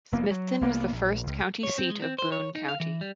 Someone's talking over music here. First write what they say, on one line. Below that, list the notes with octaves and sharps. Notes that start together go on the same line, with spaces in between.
Smithton was the first county seat of Boone County.
F1 A#3 B3
F#3
C2 A#3 B3
A#1
C#2
C#5
C4
G#3
C4
C5
C#5
D#4
F5
E3
G3